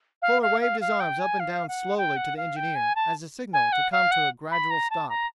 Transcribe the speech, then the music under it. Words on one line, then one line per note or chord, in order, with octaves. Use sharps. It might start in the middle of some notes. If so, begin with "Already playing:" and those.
Fuller waved his arms up and down slowly to the engineer as a signal to come to a gradual stop.
F5
F5
F5
F5
G5
G#5
F5
F#5
G5
F#5
F5
G5
G#5
A5
G#5
F#5
F5
F#5
B5
A#5
A5
A#5